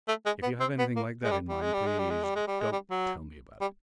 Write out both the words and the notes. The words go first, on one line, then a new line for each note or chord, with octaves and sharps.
If you have anything like that in mind please don't tell me about it.
A3
G#3
B3
C4
B3
A#3
G#3
G3
G3
G#3
G3
G#3
G3
G#3
G3
G#3
G3
G#3
G3
F#3
G3